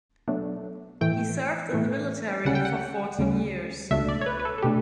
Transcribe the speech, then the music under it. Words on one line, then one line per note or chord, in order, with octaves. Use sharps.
He served in the military for fourteen years.
B2 F#3 A3 D4
A2 E3 A3 G5
A2 E3 A3
D2 C#3 G3 C#4 F#5
G5
F#5
D2 C#3 G3 C#4
C#2 B2 A3 D4 E5
D5
C#5
B4
B4
A4
A4
B2 A3 D4 G4